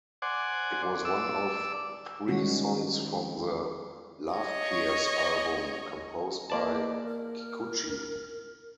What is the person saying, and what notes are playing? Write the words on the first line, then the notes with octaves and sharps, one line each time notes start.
It was one of three songs from the "Loveppears" album composed by Kikuchi.
C5 D5 F#5 G#5
D5 E6
D#3 G3 G#3 C#4 F#4
C#5 D#5
A#3 D5 D#5 A5
A#4